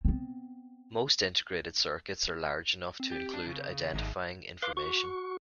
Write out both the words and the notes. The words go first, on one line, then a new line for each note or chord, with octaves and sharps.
Most integrated circuits are large enough to include identifying information.
B3 C4
C4
G4
D4
C#3
G#1 C3 D#4 G#4 E5
B4 F5 C6 D6
F#4 C#6